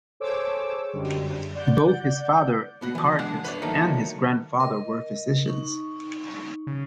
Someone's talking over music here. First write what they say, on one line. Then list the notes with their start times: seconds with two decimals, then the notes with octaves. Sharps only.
Both his father, Nicarchus, and his grandfather were physicians.
0.20 G#4 A4 C5 C#5 D6 E6
0.93 F#2 D3 G3 G#3
1.55 D5 F#5 G6
2.82 B3 F#4
2.95 E3 F3
3.19 G#3 D4 F#5
3.45 B4 C#5 D5
3.62 D#3 F3 F#3 A3 A#3 D#4
4.60 A#4 D#5
5.46 D#4 C#6
6.67 C#3